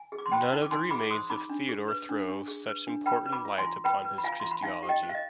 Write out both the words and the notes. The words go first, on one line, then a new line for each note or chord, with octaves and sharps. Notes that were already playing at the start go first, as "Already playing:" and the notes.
None of the remains of Theodore throw such important light upon his Christology.
Already playing: G#5
G#4
D6
C6
C5 G5 B5
D#4
D6
D#4 G#5 C6
G#4 B5 D6
D6
C5 C6 D#6
D#4 B5 D6
D4
G#4
B4
D4
D4
G#4
B4
D4
B4 G5 B5
B4
B5 D6
F4
G#5 C6
F4
B4 G5 B5
B4
B5
F4 F5 G#5
F4 C6
B5
D#4 F5 G#5
G4
D#5 G5
C5
F5
D#5